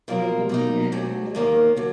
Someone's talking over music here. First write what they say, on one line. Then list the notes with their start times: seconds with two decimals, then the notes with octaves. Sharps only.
And they wouldn't get mad at you at all.
0.08 B2 A#3 F4 A#4
0.49 B2 A#3 D#4
0.92 D2 D3 F#3
1.35 D#2 D#3 A#3
1.76 D3 F#3